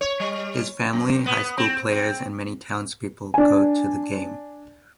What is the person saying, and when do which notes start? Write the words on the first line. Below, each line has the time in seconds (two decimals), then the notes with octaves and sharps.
His family, high school players and many townspeople go to the game.
0.01 C#5
0.20 G3
0.93 F#2
1.26 B3
1.58 C4
1.92 C4
3.34 D4 G#5